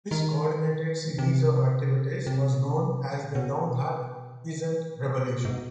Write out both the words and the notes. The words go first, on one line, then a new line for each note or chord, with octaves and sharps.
This coordinated series of activities was known as the Donghak Peasant Revolution.
D#3
C3
C3
B2
G#2
B2